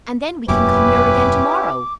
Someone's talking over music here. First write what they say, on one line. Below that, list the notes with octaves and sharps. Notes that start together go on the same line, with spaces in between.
"And then we can come here again to-morrow."
E1 F#2 A#3 C#4 E4 G4 B4 D6